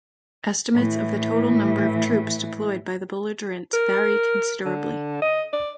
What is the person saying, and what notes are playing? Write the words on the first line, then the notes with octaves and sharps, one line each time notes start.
Estimates of the total number of troops deployed by the belligerents vary considerably.
A2 E3
A#4
D3
D#5
D5